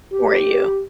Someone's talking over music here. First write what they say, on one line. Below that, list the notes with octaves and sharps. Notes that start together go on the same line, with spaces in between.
for you.
G4